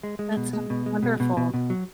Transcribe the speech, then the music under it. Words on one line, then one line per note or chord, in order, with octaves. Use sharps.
That's sounds wonderful.
G#3
G#3
B2
G#3
B2
G#3
B2
B2
B2
B2
F#3